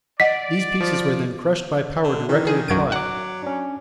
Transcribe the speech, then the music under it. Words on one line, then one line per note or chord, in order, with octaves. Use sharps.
These pieces were then crushed by power directly applied.
D5 D#5 F#5 B6
F3
D3
D#3 E3
G#4
B1 F#2 F#4 G#6 D7
F#3 F#5 D6 F#6
C#4 D4